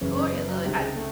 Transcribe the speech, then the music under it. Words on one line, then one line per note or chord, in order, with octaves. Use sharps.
gory a little bit. I don't know.
F#1 F#2 C#3 E3 C#4
C#4
B3
F#3
C#2 C3 D#3 G3
G#3
A3